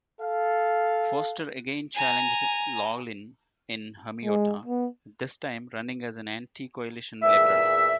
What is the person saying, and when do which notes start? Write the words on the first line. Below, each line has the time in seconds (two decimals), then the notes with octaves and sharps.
Foster again challenged Laughlin in Hamiota, this time running as an anti-coalition Liberal.
0.21 A4 F5
1.95 G#5 A#5
4.25 G#3
4.65 B3
7.23 E2 A#2 G#4 E5